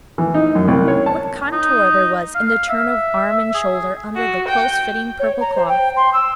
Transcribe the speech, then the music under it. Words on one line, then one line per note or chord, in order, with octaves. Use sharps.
What contour there was in the turn of arm and shoulder under the close-fitting purple cloth!
E3
D#4
F#2
C2
C#5
A5
D#4
F5
E5
G#4
F#4
G5
C#5
A#5
C5
G5
C6
E6